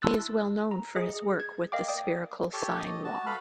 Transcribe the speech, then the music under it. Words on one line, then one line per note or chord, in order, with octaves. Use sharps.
He is well known for his work with the spherical sine law.
E4 A5 C6 E6 F#6 A6
A#5
G#4 D#5
G#6
A#4 D#5 F5 G5 D6
D5 G5 D#6
G4 A4 C#5
D#5
F#4 A5
A4 B4 F5 B5 F6